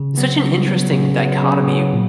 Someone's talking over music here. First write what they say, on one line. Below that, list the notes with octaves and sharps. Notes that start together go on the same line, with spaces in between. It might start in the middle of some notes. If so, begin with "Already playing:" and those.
such an interesting dichotomy,
Already playing: C#3
F#3 B3
C#3
F#3 B3
C#3
F#3 B3
C#3
F#3 B3
A#2